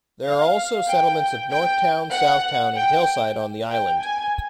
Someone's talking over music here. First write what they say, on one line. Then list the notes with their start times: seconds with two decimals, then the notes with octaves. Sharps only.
There are also settlements of Northtown, Southtown and Hillside on the island.
0.25 F5
0.89 G5
1.51 G5
2.14 F#5
2.76 G5
3.70 G5
4.00 G#5